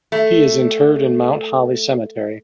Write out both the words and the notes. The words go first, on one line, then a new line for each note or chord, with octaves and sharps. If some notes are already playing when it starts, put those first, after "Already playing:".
He is interred in Mount Holly Cemetery.
A3